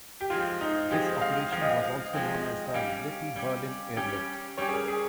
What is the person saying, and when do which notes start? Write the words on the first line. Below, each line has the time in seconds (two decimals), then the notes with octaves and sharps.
This operation was also known as the "Little Berlin Airlift".
0.21 G4
0.30 F3 G#3 C4 F4
0.61 D#4
0.90 F3 G#3 C4 G4
1.21 F5
1.52 F3 G#3 C4 F5
1.61 D#5
1.71 F5
2.13 F3 G#3 C4 G5
2.66 D#5
2.74 G3 C#4 G4 F5
3.36 G3 C#4 G4
3.96 G3 C#4 G4
4.57 G3 C#4 G4 C#5
4.69 G#4
4.73 A#4
4.88 G#4